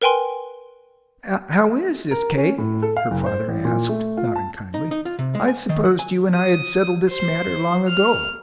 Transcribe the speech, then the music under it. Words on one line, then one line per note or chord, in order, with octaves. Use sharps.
"How is this, Kate?" her father asked, not unkindly; "I supposed you and I had settled this matter long ago."
A#4 B4 G5 G#5 C6
A#4
C#4
A2
A4
F5
F#1
C5
A1
A#2
A3
F4
A5
D#4
D#4
F4
C3
G#3
G#5
D#3
F#4
G#5
D#6
C5
F6